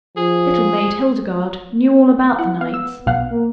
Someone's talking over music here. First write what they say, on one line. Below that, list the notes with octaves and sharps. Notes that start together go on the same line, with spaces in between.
Little Maid Hildegarde knew all about the knights.
F3 G#4
E4 F#5
B3 F5
E6
B1 F5 F#5
A#3